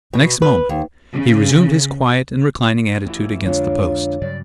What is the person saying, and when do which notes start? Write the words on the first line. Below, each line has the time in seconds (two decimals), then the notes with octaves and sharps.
At the next moment he resumed his quiet and reclining attitude against the post.
0.14 B2
0.42 B4
0.69 D#2
1.14 C#3
3.05 A2 E3 E4
3.45 F2 D3 G#3 D4 F4 C#5
4.22 G2 C#3 F#3 D5